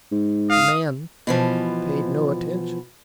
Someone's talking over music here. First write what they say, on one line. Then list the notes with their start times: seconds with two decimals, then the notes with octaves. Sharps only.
The man paid no attention.
0.11 G#2
0.50 F5 D#6
1.27 B2 E3 F3